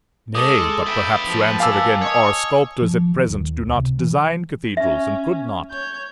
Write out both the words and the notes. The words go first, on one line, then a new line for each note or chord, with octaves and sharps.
Nay, but perhaps you answer again, our sculptors at present do not design cathedrals, and could not.
G#3 A4 D6 D#6
B4 E5 G5
F3 A3
A#4 F5 G#5 A5 D6 E6
C#5 D#5
F3
D#3
D#1
D#2
C#2
C3
E3
C#4 E5
C#5 G6